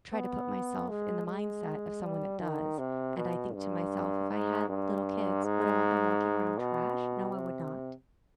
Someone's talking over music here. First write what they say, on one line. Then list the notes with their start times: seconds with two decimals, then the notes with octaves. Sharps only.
try to put myself in the mindset of someone that does, and I think to myself, "If I had little kids, would I want them walking around trash?" No, I would not,
0.13 B3
0.89 G#3
1.27 G#3
2.03 G3
2.41 D#3
2.78 C3
3.17 B2
3.55 G2
4.30 G#2
4.69 G2
5.44 G#2
6.58 B2
7.34 C3